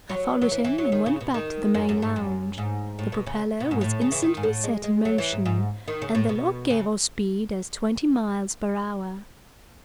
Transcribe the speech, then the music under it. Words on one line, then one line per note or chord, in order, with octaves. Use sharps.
I followed him and went back to the main lounge. The propeller was instantly set in motion, and the log gave our speed as twenty miles per hour.
F#3
F#3
E3
E3
F#3
D#3
C#3
B2
D#3
F#2
F#2
G#2
F#2
G#2
A2
B2
C#3
B2
G#2
A2
C#3
E3
D#3
G#2
A2
G#3
G#3
F#3
E3
G#2
G#2
D#3
C#3
A2
B2
C#3